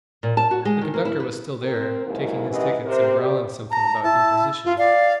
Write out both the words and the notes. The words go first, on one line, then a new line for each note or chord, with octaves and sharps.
The conductor was still there, taking his tickets, and growling something about imposition.
A#2
A5
F#4
G#3
D#3
A#3
E4
B4
C4 A#4
D#2 G#2 B2 F#3 E4 A#4
G#2 C3 E3 C#4 B4 D#5
C3 A#4 C5
G4 B4 D5
A5 A#5
E4 A5
F4
D5 F5